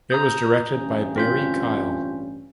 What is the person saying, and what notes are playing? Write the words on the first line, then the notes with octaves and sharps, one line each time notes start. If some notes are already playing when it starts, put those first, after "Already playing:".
It was directed by Barry Kyle.
A#5 D#6 G6
A1 G2 C#4
C4 F4 G6